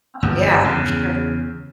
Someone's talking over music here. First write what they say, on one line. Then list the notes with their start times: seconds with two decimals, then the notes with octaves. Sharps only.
Oh, yeah, for sure.
0.23 G1 F#2
0.64 E2 C#3